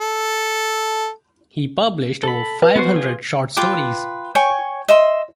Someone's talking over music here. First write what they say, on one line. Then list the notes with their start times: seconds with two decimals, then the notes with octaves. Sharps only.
He published over five hundred short stories.
0.01 A4
2.23 A4 B5
2.62 B4
2.76 B3 F#4 C5
2.96 F4 G4 G#4
3.57 F4 B4 G5 D6
4.35 C#5 G5 G#5 C#6
4.88 D#5 E5 C6